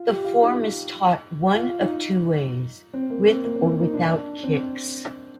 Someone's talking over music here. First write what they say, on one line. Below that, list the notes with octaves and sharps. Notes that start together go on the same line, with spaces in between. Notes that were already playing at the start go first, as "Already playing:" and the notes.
The form is taught one of two ways: with or without kicks.
Already playing: F4
G4
F4
D#4
F4
D#4
C4
A#3
C4
A#3
C4
D#4
D4
C4